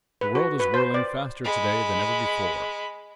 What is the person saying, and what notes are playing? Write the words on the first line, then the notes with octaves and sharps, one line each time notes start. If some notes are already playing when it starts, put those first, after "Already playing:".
The world is whirling faster to-day than ever before.
B4
F#4
B4
C5
D5
G#3 B5